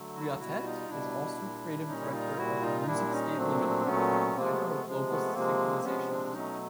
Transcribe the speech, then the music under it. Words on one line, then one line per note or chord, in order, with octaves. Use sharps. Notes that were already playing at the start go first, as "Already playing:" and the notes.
Briottet is also creative director of Musicstate Limited, the provider of global synchronisation music.
Already playing: D3 F#3 A3
E4 F#4
B2 G3 E4 F#4
D#4 F4
B2 G3 D4 E4
A#2 G3
A#2 G3 C#4 D#4
E4
D#4 F4
A#2 G3 E4 F#4
D#4 F4
D#4
A#2 G3 D4 E4
C#4 D#4
A#2 F#3 A3 C4 D4
A#2 F#3 A3 B3 C#4
C3 F3 G#3 A#3 C4
A3 B3
A#3
A3 B3
C3 F3 G#3
A3 B3
C3 F3 G#3 A#3 C4
C3 F3 G#3 B3 C#4
C4 D4
B2 F#3 A3 C#4 D#4